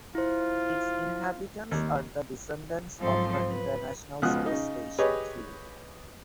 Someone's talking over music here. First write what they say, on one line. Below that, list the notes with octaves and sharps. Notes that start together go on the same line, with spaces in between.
Its inhabitants are the descendants of the International Space Station crew.
E4 F4 C5
D#2
G#2 F3 F#3 C4 A4 C6
B4
C#2 B2 F3 F#5 D#6 F#6
C#3 D#4
G4 G#4 B4 C#5 D#5